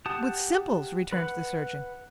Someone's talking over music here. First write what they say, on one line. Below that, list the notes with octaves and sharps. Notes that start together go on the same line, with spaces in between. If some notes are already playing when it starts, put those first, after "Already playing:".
"With simples," returned the surgeon.
G4 F#5 A5 D#6
B4 F#5